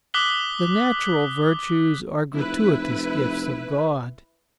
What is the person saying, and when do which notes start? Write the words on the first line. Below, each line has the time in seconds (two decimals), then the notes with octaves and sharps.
The natural virtues are gratuitous gifts of God.
0.14 D6 D#6 F#6 B6 F#7 G7
2.33 F1 E4 B4